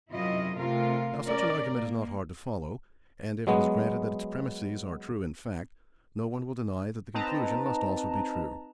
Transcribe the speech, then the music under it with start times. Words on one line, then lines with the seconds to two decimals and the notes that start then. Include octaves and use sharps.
Now such an argument is not hard to follow; and if it is granted that its premisses are true in fact, no one will deny that the conclusion must also be true.
0.11 F#2 C3 E4 F4 D#5
0.55 C3 A3 F4 A#4 F5
1.26 C#4 A#4 D5
1.75 A#3
3.47 F#3 G#3 B3
7.14 C4 D#4 B4 D#5 A5 A#5